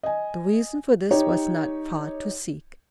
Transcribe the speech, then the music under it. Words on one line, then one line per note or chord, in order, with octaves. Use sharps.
The reason for this was not far to seek.
D#5 G#5
D#4 G4 C#5